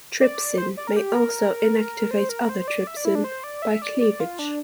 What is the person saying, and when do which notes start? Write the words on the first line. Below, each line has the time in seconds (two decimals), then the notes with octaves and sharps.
Trypsin may also inactivate other trypsin by cleavage.
0.21 D5
0.58 C5
0.77 D5
0.87 A#4
0.96 G4
1.15 A#4
2.11 C5
2.29 A#4
2.49 C5
2.68 D5
2.87 E5
2.97 D5
3.05 E4
3.15 D4
3.24 C5
3.44 D5
3.62 E5
3.82 D5
4.01 D5
4.20 F4
4.39 D4